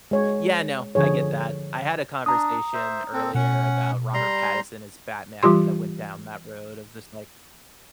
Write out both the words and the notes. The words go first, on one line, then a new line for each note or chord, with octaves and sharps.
Yeah, no. I get that. I had a conversation earlier about Robert Pattinson as Batman that went down that road of just, like
G#3 C#5
D3 F3 G#4 C#5
D4 A#5 D#6
C5 E5
C4 A4
B2 C#4 F#5
G3 A#5 C6
E3 G3 F4 G4 C6